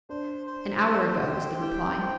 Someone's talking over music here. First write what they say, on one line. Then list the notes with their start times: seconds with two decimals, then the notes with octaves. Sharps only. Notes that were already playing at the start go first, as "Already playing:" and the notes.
"An hour ago," was the reply.
0.09 D4 C5
0.47 C5
0.85 C5
1.23 G4
1.61 E4 G5
2.00 C4